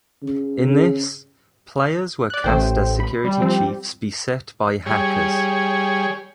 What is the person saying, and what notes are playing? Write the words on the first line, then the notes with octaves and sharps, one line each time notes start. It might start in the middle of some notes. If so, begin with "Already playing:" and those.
In this, players were cast as security chiefs beset by hackers.
C#3
C#3
D5 F#6
A1 A3 C5 G5
B5
G3
F3 C4
G3 G#4 C#5